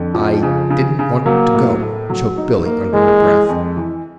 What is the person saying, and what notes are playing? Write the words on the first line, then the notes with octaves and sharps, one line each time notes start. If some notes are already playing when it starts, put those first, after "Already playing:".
"I didn't--want--to go," choked Billy, under her breath.
Already playing: F2 D3
F3
C#3
C#3
C#3
F#3 A#3
A2
A3
F#3
D#4
A#3
E3 G#3
E3
F2
E3